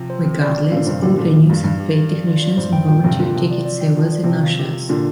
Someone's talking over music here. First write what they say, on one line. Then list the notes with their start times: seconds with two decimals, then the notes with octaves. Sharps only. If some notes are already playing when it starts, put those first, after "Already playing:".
Regardless, all venues have paid technicians and volunteer ticket sellers and ushers.
Already playing: C3 F3
0.10 C5
0.24 C4
0.41 D5
0.55 D5
0.71 A#2 D3 F5
0.86 G2 C3 C5
1.02 A#2 D3 G4
1.17 A#2 D3 F4
1.34 A#2 A#3
1.49 G2 F5
1.64 G2 D4
1.80 G4
1.95 G4
2.10 D5
2.27 F4
2.42 D5
2.57 G2 C5
2.72 G2 G5
2.88 A#2 G5
3.04 G2 C3 G5
3.19 A#2 D3 F4
3.34 C3 F3 F4
3.50 D5
3.65 D5
3.81 G5
3.97 F3 F4
4.12 D5
4.24 C3 F3 G5
4.43 F5
4.59 G4
4.73 G4
4.89 A#2 D3 D4